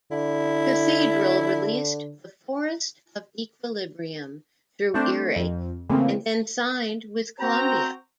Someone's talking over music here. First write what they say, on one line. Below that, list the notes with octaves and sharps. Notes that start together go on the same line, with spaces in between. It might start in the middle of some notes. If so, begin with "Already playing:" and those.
Cathedral released "The Forest of Equilibrium" through Earache and then signed with Columbia.
D3 E4
A3 C4 D4 C5
A3
F2
C#3 E3 A3 A#3 C4
C4 F#4 C5 G5 A#5